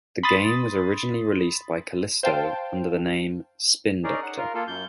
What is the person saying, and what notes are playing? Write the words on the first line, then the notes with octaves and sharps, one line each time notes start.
The game was originally released by Callisto under the name "Spin Doctor".
B5 C6 D#6 A6
C5 F5 G5 A5
C#4 D#4 G#4 A#4 D5
F#5
F4 A#4
A#3 F4 A4
F#2 G6